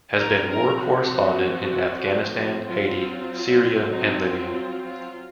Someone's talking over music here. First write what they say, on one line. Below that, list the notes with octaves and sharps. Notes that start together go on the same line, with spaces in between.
Has been war correspondent in Afghanistan, Haiti, Siria and Libya.
F3 C4 A#4
A#4
F#4
F#3 C4 F4
F4
D#4
F4
F4
F4